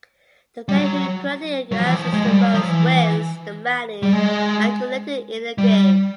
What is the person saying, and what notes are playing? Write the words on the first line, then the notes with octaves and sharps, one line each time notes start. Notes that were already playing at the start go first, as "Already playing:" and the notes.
The player who correctly answers the most wins the money accumulated in the game.
G3
F#3
F#3
F3
E3
F3
G#3
G3
F#3
F3
E3
G3
G#3
G3